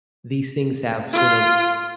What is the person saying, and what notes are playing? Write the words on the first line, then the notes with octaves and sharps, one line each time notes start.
These things have sort of,
F4